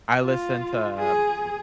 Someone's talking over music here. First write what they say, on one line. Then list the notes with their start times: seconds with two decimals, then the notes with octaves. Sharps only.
I listen to
0.24 F4
0.99 G#4